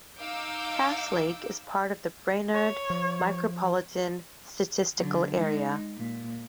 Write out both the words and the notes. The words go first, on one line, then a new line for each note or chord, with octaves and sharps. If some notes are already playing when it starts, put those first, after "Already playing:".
Cass Lake is part of the Brainerd Micropolitan Statistical Area.
D#4 F5 D6 E6 G6 D7
C#5
F3
D3 F#3
G#3 D#4
A#2